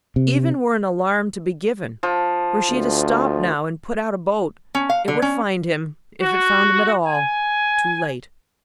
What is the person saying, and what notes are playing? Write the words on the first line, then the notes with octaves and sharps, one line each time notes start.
Even were an alarm to be given, were she to stop now and put out a boat, it would find him, if it found him at all, too late.
C3
F3
D2
C#4
F5
D3
C#4
F#4
G#5